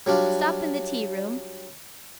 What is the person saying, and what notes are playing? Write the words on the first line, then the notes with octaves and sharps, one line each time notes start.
'Stop in the tea-room.
F#3 G3 D4 F4